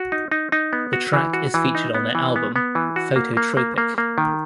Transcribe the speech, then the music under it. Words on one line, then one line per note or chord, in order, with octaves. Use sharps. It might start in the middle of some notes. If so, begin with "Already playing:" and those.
The track is featured on their album "Phototropic".
Already playing: F#4
D#4
D#4
D#4
B3
F#4
E3
F#4
E3
D#4
B3
E3
B3
B3
E3
F#4
A#3
A#3
A#3
A#3
A#3
D#3